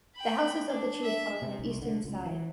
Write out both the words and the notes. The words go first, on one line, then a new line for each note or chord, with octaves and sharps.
The houses of the chief are on the eastern side.
G5 B5
D4
E5
C3
C2
D3
C#2
E3